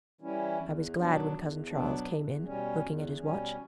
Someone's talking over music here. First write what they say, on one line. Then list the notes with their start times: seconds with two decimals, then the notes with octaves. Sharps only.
I was glad when Cousin Charles came in, looking at his watch.
0.21 E3 G3 C#4 E4
0.58 E2
0.96 B2 F#3 B3 D4
1.33 E2
1.70 B2 F#3 B3 D4
2.08 E2
2.44 B2 G3 C#4
2.82 E2
3.19 B2 G3 C#4